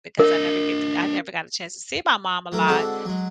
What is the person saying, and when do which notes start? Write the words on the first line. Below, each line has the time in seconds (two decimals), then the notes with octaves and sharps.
because I never get to I never got a chance to see my mom a lot,
0.19 D4 A#4 D#5
2.52 F#3 A3 A#4
2.67 D3 G#3 C4 D4 F#4 A4
3.05 F#3 G#3